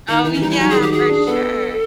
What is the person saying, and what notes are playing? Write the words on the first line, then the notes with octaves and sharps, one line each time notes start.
Oh, yeah, for sure.
D#3 D#4
E3 D#4
C#4
G3 D#4
E4
F#3 D#4
G#4
D#3
G4
F#4 G#4
D4
B3 A4